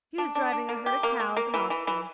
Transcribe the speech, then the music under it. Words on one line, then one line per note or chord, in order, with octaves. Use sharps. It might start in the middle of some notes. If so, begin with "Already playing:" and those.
He was driving a herd of cows and oxen.
D4
D4
D4
A#3
G4
A#3
A#3
A#3
E3
E3
E3